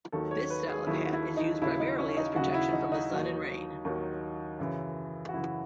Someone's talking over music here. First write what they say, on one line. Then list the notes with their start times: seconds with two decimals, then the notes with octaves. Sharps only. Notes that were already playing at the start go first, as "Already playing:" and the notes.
This style of hat is used primarily as protection from the sun and rain.
0.12 D#2 D#3 F#3 A4
0.31 C#5
0.50 B4
0.68 G#4
0.87 D#2 D#3 F#3 E4
1.12 E4
1.37 D#4
1.61 D#2 C#3 F#3 E4
1.80 D#4
1.98 C#4
2.17 D#4
2.35 D#2 C#3 F#3 F#4
2.54 E4
2.73 D#4
2.92 D#4
3.10 D#2 D#3 F#3
3.85 D#2 D#3 F#3
4.59 F#2 C#3 E3
5.29 F#4
5.33 F#2 C#3 E3 E4